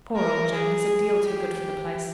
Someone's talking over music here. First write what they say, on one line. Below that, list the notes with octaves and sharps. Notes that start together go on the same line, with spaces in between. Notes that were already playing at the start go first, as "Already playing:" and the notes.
'Poor old Jim, he's a deal too good for the place.
A#4
G#4
G4